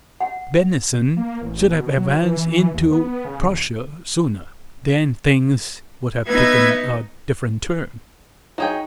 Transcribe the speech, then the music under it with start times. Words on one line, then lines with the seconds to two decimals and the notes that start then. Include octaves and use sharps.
"Bennigsen should have advanced into Prussia sooner, then things would have taken a different turn..."
0.20 F#5
1.17 A#3
1.41 A1
1.70 B2
1.97 F#3
2.22 E3
2.73 D#2
2.91 B3
3.25 C#3
3.44 D#1
6.26 B3 D#4 B4 E5 G#6
8.58 F#3 D#4 G#4 G5